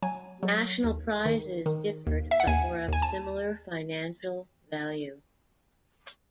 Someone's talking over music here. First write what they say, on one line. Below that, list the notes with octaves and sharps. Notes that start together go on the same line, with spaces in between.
National prizes differed but were of a similar financial value.
F#3 G#5
F#3
D#2
D#3
D#3
D#2
E5
F#5
D#2 G#5
D#2 G#5
A5